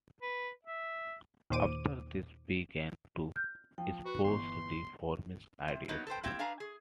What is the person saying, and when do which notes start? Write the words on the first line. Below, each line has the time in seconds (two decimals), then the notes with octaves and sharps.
After this he began to espouse "reformist" ideas.
0.22 B4
0.64 E5
1.50 D#2 A#2 C5 D6 D#7
3.36 F6 G6
3.78 F3 G5
4.05 F#4 B4
4.24 G1 E3 C6 C#6
5.68 C3
5.88 F#3 A#3 B3 D#4
6.07 A4 B4 C5 G5
6.23 A#3 C4 E4 G4 G5
6.39 D4 B4 F5 G#5 A#5
6.60 G#4